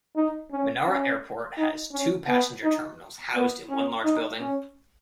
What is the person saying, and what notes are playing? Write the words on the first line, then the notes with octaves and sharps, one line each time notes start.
Menara Airport has two passenger terminals housed in one large building.
D#4
C#4
C#4
D#4
C#4
B3
D#4
B3
C#4
D#4
C#4